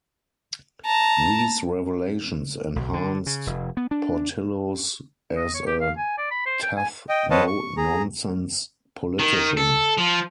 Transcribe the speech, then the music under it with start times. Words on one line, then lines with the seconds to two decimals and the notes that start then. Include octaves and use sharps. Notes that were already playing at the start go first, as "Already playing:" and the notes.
These revelations enhanced Portillo's as a "tough, no-nonsense" politician.
0.85 A5 A#5
2.76 B1
2.94 D3
3.26 C#3
3.47 F1
3.77 B3
3.91 D4
5.36 D#5
5.54 C#5
5.67 G4
5.81 F5
5.98 G#5
6.18 D5
6.31 B5
6.46 C5
6.63 G5
6.77 G#5
7.09 D#5 G5
7.31 C4 B4 C#5 D#5 F5 A5
7.47 C#6
7.77 G#4 A#5
9.19 D#3
9.57 A4
9.97 F3